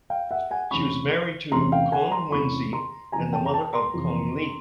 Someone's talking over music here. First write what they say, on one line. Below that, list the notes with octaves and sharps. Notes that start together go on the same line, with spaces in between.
She was married to Kong Wenzi and the mother of Kong Li.
F5 G5
E5 F#5
F#5 G#5
E2 C3 E3 A3 C#4 B5 C#6
E2 C3 E3 A3 C#4 A#5 C6
F5 G5
F#5 G#5
A#5 C6
E2 C3 E3 A3 C#4 B5 C#6
A#5 C6
F2 C3 E3 G#5 A#5
G5 A5
A#5
G5 A5
A#5 C6
F2 C3 E3